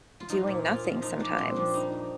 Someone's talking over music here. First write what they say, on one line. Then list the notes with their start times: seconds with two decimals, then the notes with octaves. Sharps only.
doing nothing sometimes.
0.20 F4
0.29 F3 D#4
0.47 A#2
0.66 A#2 F4
0.84 F3
1.02 F3 D#4
1.20 F3 D4
1.38 A#2 C4
1.56 F3 D4
1.74 G3 D#4
1.92 F2